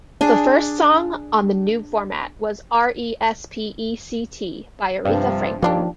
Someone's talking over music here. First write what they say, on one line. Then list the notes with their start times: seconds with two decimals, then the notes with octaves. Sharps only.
The first song on the new format was "R-E-S-P-E-C-T" by Aretha Franklin.
0.21 D4 G#4
5.05 G2 C3 F3
5.62 D#2 F3 A#3 D4 G4